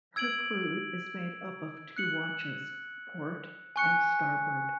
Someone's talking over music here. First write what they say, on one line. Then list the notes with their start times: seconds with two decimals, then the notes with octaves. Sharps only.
Her crew is made up of two watches, "Port" and "Starboard".
0.16 E6 G#6 D7 F#7
1.96 F#6 C#7 F#7
3.76 G#5 C#6 F#6 C#7